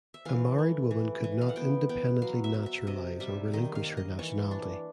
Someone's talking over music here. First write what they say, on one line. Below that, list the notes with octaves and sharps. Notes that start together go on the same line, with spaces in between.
A married woman could not independently naturalize or relinquish her nationality.
E5
E3 F5
A3
E3
E3
F5
F#5
B3 G5
B3 G5
F#3 F5
E5
F#3
E5
C3 D#5
G3 E5
D#3 D#5
F5
A#3
D#5
E3 C#5
D4